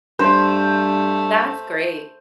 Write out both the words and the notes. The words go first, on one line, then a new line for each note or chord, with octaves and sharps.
That's great,
G2 A3 C5